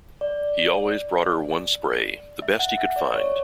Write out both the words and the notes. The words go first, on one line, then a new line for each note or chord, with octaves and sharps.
He always brought her one spray, the best he could find.
D5
E5
F#5
E5
D5
C#5